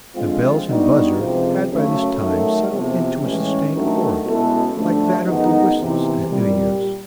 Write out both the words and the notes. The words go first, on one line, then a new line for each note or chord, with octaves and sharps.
The bells and buzzer had by this time settled into a sustained chord like that of the whistles at New-year's.
D3 F3 G#3 C4 F4
D3 G3 B3 D#4 F#4
C#2 C3 F3 G#3 C4
F#2 C#3 F#3 A3 C#4
D#3 F#3 A3
E2 C3 F3
A2 E3 G#3 C#4
G2 D#3 F#3 A3
B2 G#3 C#4 E4 A4
G2 D3 F3 A3
F#2 D#3 G#3 B3 D#4
E2 C3 E3
C2 A#2 G3